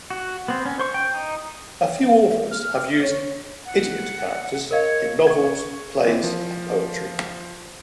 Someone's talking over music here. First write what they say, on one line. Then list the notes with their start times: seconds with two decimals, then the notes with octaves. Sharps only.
A few authors have used "idiot" characters in novels, plays and poetry.
0.10 F#4
0.48 B3 C4
0.66 C#4
0.79 C5 C#6
0.94 G5
1.14 D#4
2.51 F6
3.03 C#5
3.66 F#5
4.71 A#4 C#5 D#5 F5
5.27 C#6 G#6
6.05 E3 C4
6.23 F3